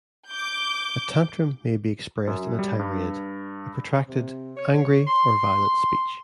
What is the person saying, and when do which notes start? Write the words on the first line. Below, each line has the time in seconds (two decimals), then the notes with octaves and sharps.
A tantrum may be expressed in a tirade: a protracted, angry, or violent speech.
0.28 D6 G6
2.27 F#2
2.59 G3
2.79 G2
4.07 C3
4.57 C#5
5.08 C6